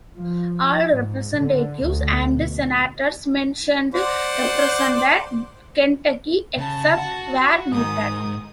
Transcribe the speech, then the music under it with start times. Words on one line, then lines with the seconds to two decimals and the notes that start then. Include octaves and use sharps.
All representatives and senators mentioned represented Kentucky except where noted.
0.17 F3
0.91 G#2
1.37 D3
1.85 D2
2.32 B2
3.94 C5 D5 F#5
6.57 C#3 A5
6.97 F#4
7.72 G#2 D#3 D#6